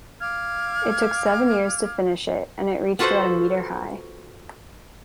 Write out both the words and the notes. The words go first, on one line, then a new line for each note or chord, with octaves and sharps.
It took seven years to finish it and it reached about a meter high.
F5 D6 F6 G#6
B3 F4 F#4 A4 B4 C5